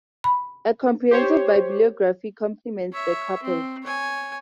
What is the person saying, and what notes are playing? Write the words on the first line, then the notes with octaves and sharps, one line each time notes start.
A comprehensive bibliography complements the corpus.
B5
G4 C5 C#5
C#5 E5
C4
C#5 G#5